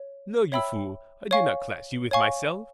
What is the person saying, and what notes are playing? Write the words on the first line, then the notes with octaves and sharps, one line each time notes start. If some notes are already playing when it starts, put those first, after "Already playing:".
No, you fool, I do not class you with myself!
Already playing: C#5
C#5 E5 G5 B5 E6
C#5 F5 G#5 C#6
C#5 F5 G#5 C#6